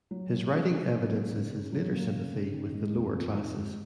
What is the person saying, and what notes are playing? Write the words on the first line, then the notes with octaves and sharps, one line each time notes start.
His writing evidences his later sympathy with the lower classes.
F#3
A#3
C#3
C#3
F#3
A#3
C#3
C#3
F#3
A#3
C#3
C#3
D#3
G#3
F2
F2
D#3
G#3